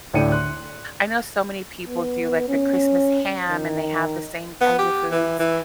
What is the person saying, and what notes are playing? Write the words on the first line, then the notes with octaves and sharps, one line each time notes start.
I know so many people do, like, the Christmas ham, and they have the same kinds of foods
D2 A2 D4 G5 C#7 D#7
C6 F#6
B3
C#4
D#3
B3
G4
E3
E3